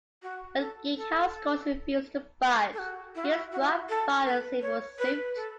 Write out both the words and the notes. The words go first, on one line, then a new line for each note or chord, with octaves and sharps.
When Geek Housecalls refused to budge, Geek Squad filed civil suit.
F#4
A4
A4
A4
F#4
E4
F#4
E4
F#4
E4
F#4
A4
B4
C#5
B4
A4